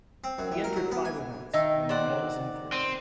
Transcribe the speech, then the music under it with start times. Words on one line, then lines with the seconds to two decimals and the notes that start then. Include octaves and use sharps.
He entered five events, winning medals in three.
0.24 C4
0.39 F#2
0.52 E2
0.64 A#4
0.76 F#3
0.92 B3
1.05 G#5
1.54 D#3 D#5 E5 E6
1.89 C5 D5 F#5
2.72 C4 D#7